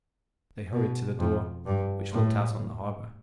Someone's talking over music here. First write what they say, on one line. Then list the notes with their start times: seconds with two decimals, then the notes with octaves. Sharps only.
They hurried to the door, which looked out on the harbour.
0.72 B2
1.19 F2
1.66 G2
2.12 A2